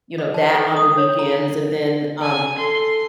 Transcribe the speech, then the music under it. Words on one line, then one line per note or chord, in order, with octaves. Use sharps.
you know, that on the weekends, and then, um
D#5
A5
A4
D#6
C#5
A#5
G#5
A4 C6